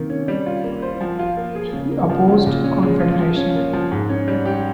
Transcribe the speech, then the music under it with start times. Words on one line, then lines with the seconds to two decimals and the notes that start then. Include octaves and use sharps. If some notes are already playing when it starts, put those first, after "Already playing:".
He opposed confederation.
Already playing: C3 D#3 A#3
0.10 C#4
0.28 G3
0.46 F4
0.64 A#3
0.82 C5
1.01 F3
1.19 F4
1.37 A#3
1.55 G#4
1.73 C#3
1.91 A#3
2.09 F3
2.28 C#3
2.46 A#2
2.64 C#4
2.82 G#3
3.00 F4
3.19 F3
3.37 C#4
3.55 A#3
3.73 F3
3.92 G#2
4.09 C#4
4.28 G3
4.45 G4